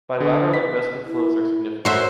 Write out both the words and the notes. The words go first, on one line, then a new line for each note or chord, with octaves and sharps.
Bilateral investment flows are significant.
D3 G#4
B6
E4
F#4 C5 C#5 E5 C7